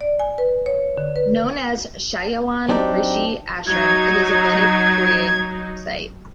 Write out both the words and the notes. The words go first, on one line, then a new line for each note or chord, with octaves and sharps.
Known as Chyawan Rishi Ashram it is a Vedic period site.
D5
G#5
B4
C#5
D3
B4
F#3 C4 D4 D#4 G4
F#3 D#4 G#6